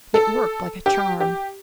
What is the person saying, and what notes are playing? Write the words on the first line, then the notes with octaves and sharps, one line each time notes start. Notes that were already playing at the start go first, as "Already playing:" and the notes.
It worked like a charm.
A4
G4
G4